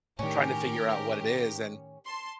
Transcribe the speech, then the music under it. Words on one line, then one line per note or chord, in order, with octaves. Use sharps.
trying to figure out what it is, and,
A2 D#3 C#4 G4 A#4
A5 C6